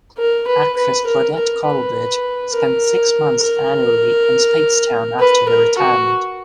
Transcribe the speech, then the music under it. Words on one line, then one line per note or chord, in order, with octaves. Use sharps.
Actress Claudette Colbert spent six months annually in Speightstown after her retirement.
A#4
B4
B4
A#4
A#4
B4
A#4
A#4
B4
A#4
F#4